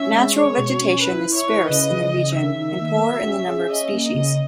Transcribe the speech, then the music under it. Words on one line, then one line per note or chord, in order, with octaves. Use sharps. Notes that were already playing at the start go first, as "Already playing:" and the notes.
Natural vegetation is sparse in the region and poor in the number of species.
Already playing: C#4 E5
G#3
G#3 C#5
B2
C#4
E4 B4
E4
C#5
B4
C#3 D#5
E3
C#3
D#3 E5
D#3
A#3
F#3
C#4
G#4
C#4 D#5
A#3
D#5
C#3